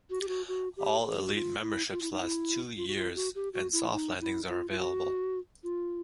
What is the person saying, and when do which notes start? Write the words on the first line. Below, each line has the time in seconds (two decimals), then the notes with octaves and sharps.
All elite memberships last two years and soft landings are available.
0.10 F#4
0.21 G4
0.28 F#4
0.48 F#4
0.77 G4
1.05 G#4
1.18 G4
1.25 F#4
1.35 F4
1.62 E4
1.92 F4
2.02 E4
2.12 D#4
2.21 E4
2.77 F4
2.88 F#4
2.96 F4
3.15 F#4
3.35 G4
3.54 F#4
3.73 E4
3.92 D#4
4.21 E4
4.49 F4
4.70 F4
4.78 F#4
5.64 F4